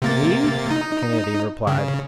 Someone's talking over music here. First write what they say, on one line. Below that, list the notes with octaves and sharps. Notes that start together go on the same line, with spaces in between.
"Me?" the Canadian replied.
C3 A#3 A6
D#4
C#3